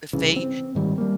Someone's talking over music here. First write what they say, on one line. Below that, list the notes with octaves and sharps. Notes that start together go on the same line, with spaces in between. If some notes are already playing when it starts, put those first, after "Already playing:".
if they
C2 C#3 E3
C4
G#2 D#3 G3
G3 A#3